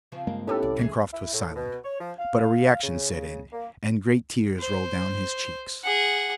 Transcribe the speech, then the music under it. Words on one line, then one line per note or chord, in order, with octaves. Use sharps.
Pencroft was silent, but a reaction set in, and great tears rolled down his cheeks.
C#3 F3 C4
G2 G#3 A#3
A2 B3 C#4 D#4 G4 A4
C2 D5
G#2 E3 G#4
E4
A2
B2
C#5
F3
F5
C#3
C#3
A#3
C5
G#4 F#5